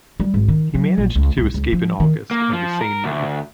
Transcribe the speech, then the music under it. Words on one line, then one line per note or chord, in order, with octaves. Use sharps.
He managed to escape in August of the same year.
G3
G#1
D#3
F#3
A#1
C#2
C2
C#2
F3
D#3
A#3
F3
A#4
D2